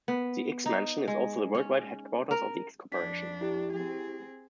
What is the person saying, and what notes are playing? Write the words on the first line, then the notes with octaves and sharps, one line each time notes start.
The X-Mansion is also the worldwide headquarters of the X-Corporation.
B3
D#4
G#3
C#4
A#4
F2 D4 B6
E4 G4
C4 G#4